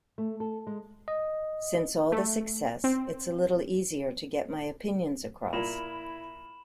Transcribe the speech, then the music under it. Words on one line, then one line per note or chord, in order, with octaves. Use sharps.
Since all the success, it's a little easier to get my opinions across.
A3
A4
G#3
D#5
A3
C4
A#2 E4 A#4 B5 E7 F#7